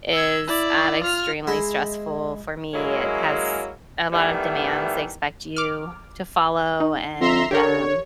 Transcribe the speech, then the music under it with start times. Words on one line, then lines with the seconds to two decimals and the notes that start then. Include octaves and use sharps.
is, um, extremely stressful for me, it has a lot of demands they expect you to follow, and, um,
0.13 E6 G#6
0.47 E4 D5
1.02 F4 F6
1.47 G#3 E4
2.74 F#3 G#3 A#3 C#4 E4
4.13 D#3 E3 G3 A3 B3
5.57 D6 F6
6.80 D#4
7.20 F2 E5 A#5 C6
7.51 D3 G4 A#4 C#5